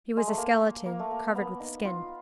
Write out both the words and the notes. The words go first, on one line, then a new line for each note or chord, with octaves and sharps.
He was a skeleton covered with skin.
G#3
A3
A#3
A#3
A3
A#3
A#3
B3
D#4
F4